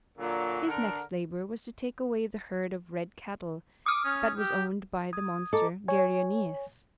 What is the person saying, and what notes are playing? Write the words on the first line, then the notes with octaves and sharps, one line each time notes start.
His next labor was to take away the herd of red cattle that was owned by the monster Geryoneus.
A#2 D3 F#3
D3 A#4
D6 D#6 F6
C#4
G4
D#6 G#6
A4 D#5 A#5 D6
C#5 G#5